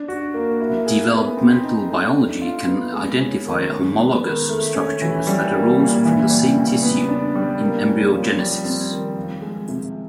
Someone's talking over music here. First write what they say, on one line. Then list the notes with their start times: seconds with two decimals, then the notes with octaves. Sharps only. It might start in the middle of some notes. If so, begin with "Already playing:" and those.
Developmental biology can identify homologous structures that arose from the same tissue in embryogenesis.
Already playing: D4
0.08 F#4
0.34 A#3
0.60 E4
0.86 G#4
1.11 B3
1.37 C4
1.63 D#4
1.89 A3
2.15 D4
2.42 F4
2.67 B3
2.94 G#3
3.19 C#4
3.46 D#3
3.71 G#3
3.97 B3
4.23 D#3
4.49 A3
4.75 C#4
5.02 E3
5.27 G3
5.53 A#3
5.80 A#2
6.05 E3
6.31 G3
6.57 C#3
6.83 B3
7.09 D4
7.35 G3
7.60 A#3
7.87 C#4
8.12 F3
8.39 G3
8.65 C4
8.91 D#3
9.17 F3
9.42 G#3
9.68 C3